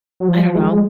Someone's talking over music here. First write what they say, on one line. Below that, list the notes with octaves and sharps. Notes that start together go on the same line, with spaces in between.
I don't know.
F#3
F3
G#3